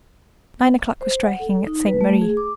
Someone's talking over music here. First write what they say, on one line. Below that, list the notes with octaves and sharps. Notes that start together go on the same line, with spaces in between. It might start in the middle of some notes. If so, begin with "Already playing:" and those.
Nine o'clock was striking at Saint-Merri.
C5
F#5
A4
D#4
B4
A3
G#4
D6